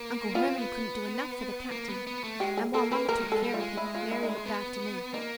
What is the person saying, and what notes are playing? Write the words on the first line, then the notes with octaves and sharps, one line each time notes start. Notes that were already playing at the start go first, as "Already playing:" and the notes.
Uncle Hermann couldn't do enough for the captain, and while mamma took care of him, Mary looked after me.
Already playing: A#3
B3 F4
C4
B3
A#3
B3
B3
A3
G#3 G4
G#4
A#3 A4
A#3 B4
A#3 A#4
G3
G#3
A4
G3
F4
G#3
E4
F4
E4
D#4
E4
B3
A#3 D#4